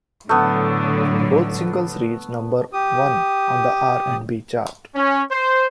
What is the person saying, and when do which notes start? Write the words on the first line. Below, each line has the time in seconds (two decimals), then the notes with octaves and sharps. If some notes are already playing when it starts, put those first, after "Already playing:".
Both singles reached number one on the R and B chart.
0.29 A2 D3 F#3 A3 B3
2.73 G4 D#6
4.95 C#4
5.31 C5